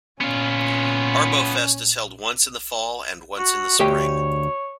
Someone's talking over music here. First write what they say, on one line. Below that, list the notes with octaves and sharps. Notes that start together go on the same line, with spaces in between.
Arbo-Fest is held once in the fall and once in the spring.
A#2 B3 C#4 F4
F#4
D2 G4 C#5 G5